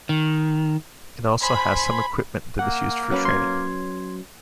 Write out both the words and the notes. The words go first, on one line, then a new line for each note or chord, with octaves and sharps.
It also has some equipment that is used for training.
D#3
C5 G#5 B5
A#3 F#5
F#3 C#4 B4
C6 G#6